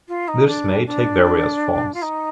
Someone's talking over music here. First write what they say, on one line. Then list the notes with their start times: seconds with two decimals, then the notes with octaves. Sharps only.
This may take various forms.
0.08 F4
0.28 D#4
0.47 D4
0.86 D4
1.94 F4
2.02 D#4